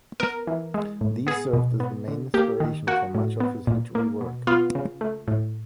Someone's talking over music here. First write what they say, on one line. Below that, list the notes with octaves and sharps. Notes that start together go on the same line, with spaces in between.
These served as the main inspiration for much of his literary work.
B3 A#4
E3
G#3
A2
B3 G#4
B2
B3
D3
A#3 G4
D#3
A#3 F#4
A2
B3
A#2
A#3
B2
B3 F4
C#3
A3
A2